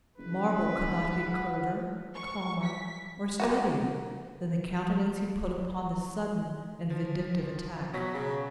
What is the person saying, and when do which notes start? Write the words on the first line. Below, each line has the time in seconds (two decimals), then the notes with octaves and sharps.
Marble could not be colder, calmer, or steadier than the countenance he put upon this sudden and vindictive attack.
0.18 F#1 B4
0.89 G#2 F#5
2.14 C#6
2.63 B6
3.40 A#3 B3 F#4
6.90 F3
7.93 B2 F#3 A#6 B6
8.14 C#3